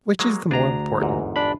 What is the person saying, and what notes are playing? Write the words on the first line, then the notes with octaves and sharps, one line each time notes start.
Which is the more important?
F#3 G#3 A#3
D2 D4 G#4 A#5
G1 E2 G#2
D4 B5